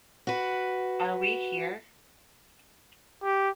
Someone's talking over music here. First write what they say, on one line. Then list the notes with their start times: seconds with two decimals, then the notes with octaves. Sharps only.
Are We Here?
0.27 F#4 B4
3.23 G4